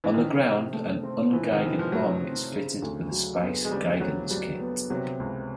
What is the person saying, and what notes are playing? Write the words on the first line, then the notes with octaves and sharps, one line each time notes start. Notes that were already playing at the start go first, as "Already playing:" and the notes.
On the ground, an unguided bomb is fitted with a "Spice" guidance kit.
E3
D#3 F3
C3
A3
C4
E3 F3
D#3
C3 E3
F3
F#3 A3
C4
C#3
D2
F#3
B3
G#3
C#3 G3
D2 F#3
F#3 G3
B3
C3 F#3
C#2